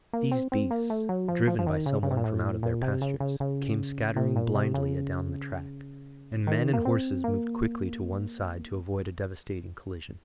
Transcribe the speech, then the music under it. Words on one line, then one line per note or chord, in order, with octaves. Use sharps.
These beasts, driven by someone from out of their pastures, came scattering blindly adown the track; and men and horses moved quickly to one side to avoid a devastating collision.
A#3
C4
C4
A#3
A3
F#3
F3
F3
F3
D#3
C#3
C#3
C3
A#2
A2
A#2
C3
C#3
C#3
C#3
C3
A#2
C3
C#3
D#3
A#3
C4
A#3